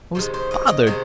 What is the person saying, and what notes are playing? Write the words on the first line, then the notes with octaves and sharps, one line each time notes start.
I was bothered!
C3 D#3 G#3 C5
C5
D#5
D#5
C3 D#3 G#3 C5